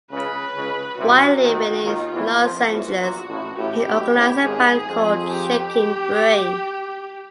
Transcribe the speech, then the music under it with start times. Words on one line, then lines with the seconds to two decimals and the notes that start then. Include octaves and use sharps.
While living in Los Angeles, he organized a band called Shakin' Brave.
0.11 C#2 C#3 B4
0.55 C#2 C#3
0.97 C2 C3 F#4
1.41 D#2 D#3
1.84 D#2 D#3 F4
2.13 E2 E3
2.42 F2 F3
2.70 E2 E3 F#4
2.99 A#1 A#2
3.28 A1 A2
3.57 A1 A2 G4
3.86 B1 B2
4.15 A1 A2
4.44 G#1 G#2 G#4
4.88 F2
5.31 G4